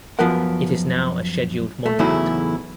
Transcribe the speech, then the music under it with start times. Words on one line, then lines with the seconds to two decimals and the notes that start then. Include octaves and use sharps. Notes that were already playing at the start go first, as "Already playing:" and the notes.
It is now a Scheduled Monument.
0.19 F#2 F3 B3 F4 A#4 F#5
1.86 A3
1.99 E2 A2 C#3 F#3 D#4 E4